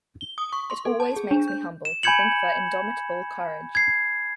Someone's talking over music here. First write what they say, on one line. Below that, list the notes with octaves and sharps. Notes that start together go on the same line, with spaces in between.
It always makes me humble to think of her indomitable courage.
G7
D#6
C#6
C6
A4
A5
G#4
D4
G6
E7
G#5 B5 G6 G#6 C#7 F#7
G#6 C7